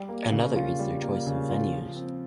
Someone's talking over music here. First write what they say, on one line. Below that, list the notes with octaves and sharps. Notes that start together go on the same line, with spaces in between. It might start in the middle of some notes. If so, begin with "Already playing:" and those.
Another is their choice of venues.
Already playing: G3
A#3
C#3
F4
G3
A#3
C#3
F4
F3
C4